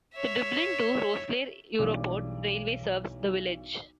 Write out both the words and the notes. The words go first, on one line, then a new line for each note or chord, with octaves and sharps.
The Dublin to Rosslare Europort railway serves the village.
C#5 E5
B1 E3 G3 D4 G#4 D6